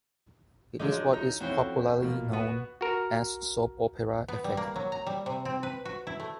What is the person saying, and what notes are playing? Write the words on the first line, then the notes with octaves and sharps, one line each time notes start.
It is what is popularly known as soap opera effect.
D3 F3 F#3 G#3 D4 D#4
D#4 A#5
F2 C#4 E4 F#4 C5 G5
B2 F3 A#3
B3 F#4 F#5
F#4 A#4
B3
G3
A#3
F#3
A#5
G3
C3
C4
B4
F#4
E4
A3